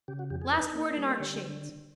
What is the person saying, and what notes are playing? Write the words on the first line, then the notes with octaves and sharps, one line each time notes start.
Last word in art shades.
C#3 G4
F#4
F2 G4
G#4
D#4 B4
A#3
G3 C5
C5
D3 C#5